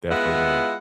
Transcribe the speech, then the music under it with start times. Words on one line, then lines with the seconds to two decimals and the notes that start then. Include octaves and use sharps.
Definitely, man.
0.10 G#3 B3 E4 F4 E5 F#5